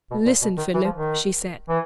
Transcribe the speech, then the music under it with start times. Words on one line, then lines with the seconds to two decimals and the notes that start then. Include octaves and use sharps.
"Listen, Philip," she said.
0.11 B2
0.26 A#2
0.42 B2
0.57 D#3
0.74 E3
0.84 F3
0.95 D#3
1.69 E3